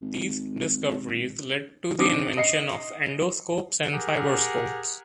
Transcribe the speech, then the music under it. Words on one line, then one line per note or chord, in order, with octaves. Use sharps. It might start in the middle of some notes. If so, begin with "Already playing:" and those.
These discoveries led to the invention of endoscopes and fiberscopes.
G#1
D#3 C4 D4 D6 D#6
D#5 C7 C#7
G4 G#4 A#4 F#5